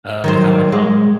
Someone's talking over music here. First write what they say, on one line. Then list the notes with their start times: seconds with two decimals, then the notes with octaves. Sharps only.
uh, with how I talk
0.24 D#3 F#3 C5
0.72 G#3